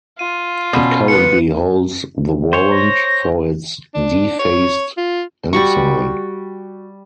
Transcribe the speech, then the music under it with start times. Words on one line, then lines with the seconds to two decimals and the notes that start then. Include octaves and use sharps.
It currently holds the warrant for its defaced ensign.
0.19 F4 D#7
0.73 B2 C#4
1.08 B4 C#7
2.53 C5 C#5
2.71 A#6
3.95 D4
4.39 C#5
4.97 F4
5.53 G3 F#4 C#6